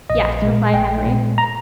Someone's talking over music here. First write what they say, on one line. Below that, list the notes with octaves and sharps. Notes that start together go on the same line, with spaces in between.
"Yes," replied Henry.
A#1 D#5
A#2 G#3
A#1 G5
A#2 G#3
A#5